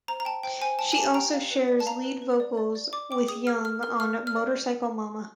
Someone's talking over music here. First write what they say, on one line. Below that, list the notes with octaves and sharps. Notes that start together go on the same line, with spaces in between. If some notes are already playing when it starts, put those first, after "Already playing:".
She also shares lead vocals with Young on "Motorcycle Mama".
C5 A#5
A#5
G5 A5
C5 G5
C5 G#5
G5 A5
G#5
G4 A5
G5 A#5
F5
B4
D5
A5
F5 A#5
B4
B4
D5
D5
D5
D5 D6
G5 D6
G#4 D#6
A#4 F6
A#4 F6
A#4 F6
F5 F6
D5
F6
D5